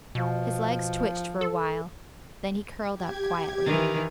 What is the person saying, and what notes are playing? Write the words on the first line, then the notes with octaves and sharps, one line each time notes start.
His legs twitched for a while, then he curled up quietly.
B2 F3
A4
G4 G#6
D#3 E3